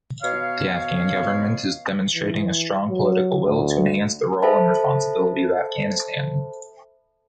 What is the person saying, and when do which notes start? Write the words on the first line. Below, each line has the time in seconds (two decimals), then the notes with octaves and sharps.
The Afghan government is demonstrating a strong political will to enhance the role and responsibility of Afghanistan.
0.23 B2 C#5 F5
2.14 E3
2.90 F#3
3.44 D2
4.42 A4 C5 E5 A5 B5